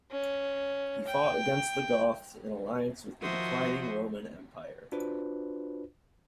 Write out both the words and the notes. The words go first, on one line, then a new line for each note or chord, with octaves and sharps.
He fought against the Goths in alliance with the declining Roman Empire.
C#4
G5
D#3 F3 F#4 C5 E5 D#6
D4 F4 F#4 B4 C5